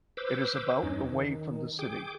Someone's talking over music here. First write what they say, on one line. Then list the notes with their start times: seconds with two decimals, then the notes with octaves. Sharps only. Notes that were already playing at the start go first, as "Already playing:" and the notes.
It is about away from the city.
0.17 B4 C5 D6 E6
0.83 E2 G2 C#4 D#4
1.12 D#3
1.79 G#4 G5 D6